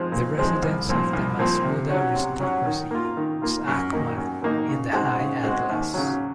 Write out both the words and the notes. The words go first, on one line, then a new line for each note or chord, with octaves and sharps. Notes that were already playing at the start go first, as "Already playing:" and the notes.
The residence of the Masmuda aristocracy was Aghmat in the High Atlas.
Already playing: F3 G#3 C4
A#2
F3 G#3 C4
C2
A#2 F3 C4
C2
A#2 F3 C4
C3
F#3 C#4 F#4 C#5
C3
F#3 C#4 F#4 C#5
D#3
A#3 F4
D#3
A#3 F4
F#2
D#3 A#3 D#4
F#2
D#3 A#3 D#4
C#3
G#3 C4 F#4
C#3
G#3 C4 F#4
D#2
C#3 F#3